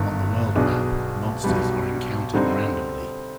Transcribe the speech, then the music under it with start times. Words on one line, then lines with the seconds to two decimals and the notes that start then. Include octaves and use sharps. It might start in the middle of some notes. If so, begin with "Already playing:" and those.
On the world map, monsters are encountered randomly.
Already playing: G1 G2 D#3
0.55 B1 B2 B3 D4 G#4
1.44 B1 B2 G3
2.33 D3 G3 C4 D#4